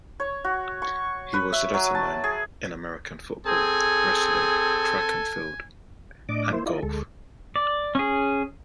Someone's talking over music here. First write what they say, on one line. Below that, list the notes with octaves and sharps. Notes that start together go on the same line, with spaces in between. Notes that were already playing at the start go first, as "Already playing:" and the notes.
He was a letterman in American football, wrestling, track and field, and golf.
C#5
F#4
C#6
B4
E5
F#3
A5
G#4
C4 G#4 A4 G#5
A2 D4 D5 D#5 D6
A#3 E4 C5
E4 F4 D5 D#5
D2 G#3 A4
D5
C#4 G#4